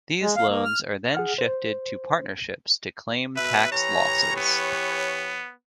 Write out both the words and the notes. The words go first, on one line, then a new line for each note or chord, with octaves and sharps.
These loans are then shifted to partnerships to claim tax losses.
G#3
F5
A#3
F6
G#4 F#5 F6
C5
B2 B4 E5
E3 G4 C#5 A#5
B3